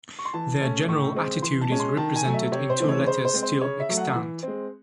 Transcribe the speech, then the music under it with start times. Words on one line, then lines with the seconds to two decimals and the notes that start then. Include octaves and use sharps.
Their general attitude is represented in two letters still extant.
0.19 C#6
0.25 C6
0.34 E3 A5
0.61 A3 C#4
0.88 A2 C#6
1.15 G#3 C4
1.42 E3 C6
1.61 A5
1.70 G#3 C#4
1.80 C6
1.97 D#3 A5
2.16 G#5
2.25 F#3 A3
2.34 E5
2.52 C3 C#5
2.70 C5
2.80 E3 A3 C4
2.89 C#5
3.06 C#3 C5
3.25 C5
3.33 G#3 C4
3.43 C5
3.61 C#3 C#5
3.80 E5
3.89 F#3 A3
3.98 F#5
4.15 E3
4.43 G#3 C4